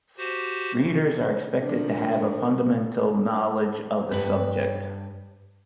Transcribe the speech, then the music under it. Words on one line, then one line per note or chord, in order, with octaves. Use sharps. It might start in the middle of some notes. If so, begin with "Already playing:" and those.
Readers are expected to have a fundamental knowledge of the subject.
F#4 G4 C5
D3 F3 A3 D4 A#4
G2 B4